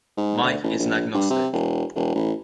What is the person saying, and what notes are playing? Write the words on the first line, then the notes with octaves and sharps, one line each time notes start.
Mike is an agnostic.
G#2
D2
A1
A#1
G2
C3
E1
E1
A1